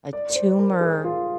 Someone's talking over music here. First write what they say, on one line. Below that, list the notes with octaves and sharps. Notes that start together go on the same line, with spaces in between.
a tumor
D5
D5
C5
A#4
G#4
F4